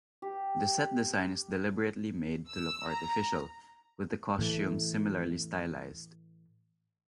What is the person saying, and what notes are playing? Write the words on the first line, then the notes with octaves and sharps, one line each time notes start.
The set design is deliberately made to look artificial with the costumes similarly stylised.
G4
E6
A#5
A2 E3 A3